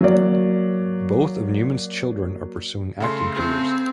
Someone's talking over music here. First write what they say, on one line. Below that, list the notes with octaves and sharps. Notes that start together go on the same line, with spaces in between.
Both of Newman's children are pursuing acting careers.
F#3 A#3 C#5 D5
C#3 A3 C6
C4